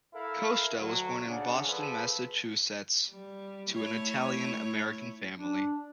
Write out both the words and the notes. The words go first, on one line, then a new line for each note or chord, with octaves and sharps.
Costa was born in Boston, Massachusetts to an Italian American family.
E4 A4 A#4 F5
D2 F#3
C#3 D4 G#4 F#5
F3 G#4 A4 B4
G3
A3 E4 C#5
D4